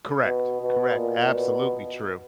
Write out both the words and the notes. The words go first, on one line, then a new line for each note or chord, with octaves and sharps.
Correct, correct, absolutely true.
B2
B2
A#2
B2